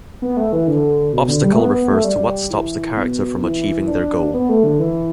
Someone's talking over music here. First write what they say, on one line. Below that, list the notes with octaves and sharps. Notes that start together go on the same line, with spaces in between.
Obstacle refers to what stops the character from achieving their goal.
B3
A3
E3
D3
B2
D3
G3
A3
B3
B3
A3
G3
E3
B2
E3
D4
B3
A3
D3
E3